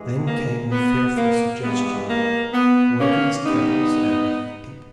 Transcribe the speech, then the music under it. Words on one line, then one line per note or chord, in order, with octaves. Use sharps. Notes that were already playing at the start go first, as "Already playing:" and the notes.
Then came the fearful suggestion, were these kettles ever heated?
Already playing: G2 E3 G#3
A#3
B3
A#3
G2 E3 G#3 B3
A#3
B3
A#3 C#4
G2 E3 G3 B3 D#4